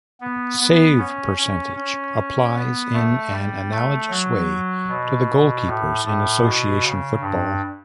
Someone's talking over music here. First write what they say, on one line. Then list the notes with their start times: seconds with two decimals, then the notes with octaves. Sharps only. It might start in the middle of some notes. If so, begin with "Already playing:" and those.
Save percentage applies in an analogous way to goalkeepers in association football.
0.21 B3
0.59 B3
0.98 C#4
1.38 C#4
1.76 C#4
2.55 B3
2.93 A3
3.31 G3
3.71 A3
4.09 F#3
4.88 B2
5.65 A2
6.04 A2
6.43 B2
6.82 C#3
7.20 G2